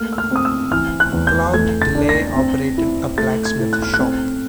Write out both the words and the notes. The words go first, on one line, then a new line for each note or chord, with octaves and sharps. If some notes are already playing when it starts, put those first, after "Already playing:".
Claude Delaye operated a blacksmith shop.
Already playing: A3 A#3 F6
E6
F6
C4 D#6
E6
E3 F6
F#6
E2
G6
A3 G#6
A6
D4
A#6
C4
E4
A3 A6
G#6
A2
F#6
F6
F#6
C4